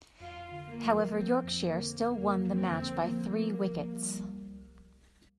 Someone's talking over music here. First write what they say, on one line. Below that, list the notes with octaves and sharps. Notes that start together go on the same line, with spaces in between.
However, Yorkshire still won the match by three wickets.
F2 F4
D3
A#3
F3
F3 C4
F2
A#3
D3
F2 A#3
F3
C4
D3
F3 A#3
F3
A#3
F3
G3
C2